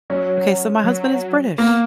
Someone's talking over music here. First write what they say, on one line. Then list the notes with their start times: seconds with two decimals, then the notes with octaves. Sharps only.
Okay, so my husband is British,
0.10 F#3 C#4
0.84 F#3
1.58 A#3 B3